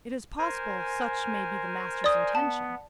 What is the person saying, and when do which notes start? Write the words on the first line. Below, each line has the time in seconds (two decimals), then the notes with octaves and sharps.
"It is possible such may be the master's intention."
0.38 A#4 C5 G#5
2.04 D5 D#6
2.35 B3 A5